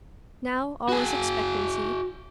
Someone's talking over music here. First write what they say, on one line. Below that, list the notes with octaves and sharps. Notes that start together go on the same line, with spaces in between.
Now all was expectancy.
F#4 G#4